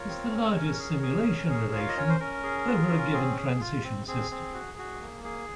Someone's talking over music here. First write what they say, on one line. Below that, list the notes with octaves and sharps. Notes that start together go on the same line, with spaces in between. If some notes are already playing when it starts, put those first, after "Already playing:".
It is the largest simulation relation over a given transition system.
Already playing: F4 A#4 C#5
C4
C#4
C#4
G#4
G#4
C#4
G#4
F4 F5
D#5
C#4 C#5
C5
C#4 A#4
G#4
F4
C#4
C4 G#4
G#4
F4
C4
C4 G#4
C4
F#4
F#4
A#3
G#4